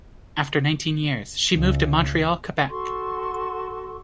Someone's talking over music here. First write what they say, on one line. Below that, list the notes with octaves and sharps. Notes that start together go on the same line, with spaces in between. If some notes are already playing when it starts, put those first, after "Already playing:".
After nineteen years, she moved to Montreal, Quebec.
C#2
F#4 A4 C6 C#6